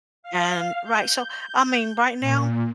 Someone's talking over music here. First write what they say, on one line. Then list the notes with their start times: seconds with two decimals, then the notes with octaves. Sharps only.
And right, so, I mean, right now,
0.23 F5
0.83 G6
2.21 A#2